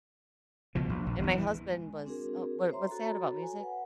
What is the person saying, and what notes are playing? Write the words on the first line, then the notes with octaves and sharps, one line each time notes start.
and my husband was Oh, what what's that about music?
C#2 B2 F3
A#1
A#1
G1 E2
E3
G#3
C4 D4 F#4 G#4 A#4
C5 C#5 E5 A#5 C6
F#4 A4 C#5 A#5 B5
G#5
B4 F#5